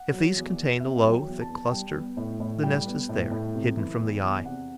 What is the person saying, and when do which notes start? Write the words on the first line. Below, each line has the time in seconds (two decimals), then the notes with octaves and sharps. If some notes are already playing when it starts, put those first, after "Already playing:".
If these contain a low, thick cluster, the nest is there, hidden from the eye.
Already playing: F#5
0.13 F#3
0.36 E2
0.57 B3
0.80 C3 E5
1.04 F#3
1.12 G5
1.27 E2
1.42 A5
1.49 B3
1.71 G3 G5
1.95 B3
2.17 A2
2.40 A2
2.63 G3 G5
2.86 B3
3.09 A2
3.31 A2
3.54 C3
3.77 E3
3.99 E2
4.22 E2
4.45 C3 F#5